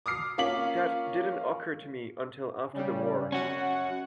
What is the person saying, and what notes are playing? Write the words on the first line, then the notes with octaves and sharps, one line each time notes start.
That didn't occur to me until after the war.
D6 D#6 F6 C7
A#3 C#4 F4 D6 B6 F#7
C#3 G3
C#4 F#4 F#5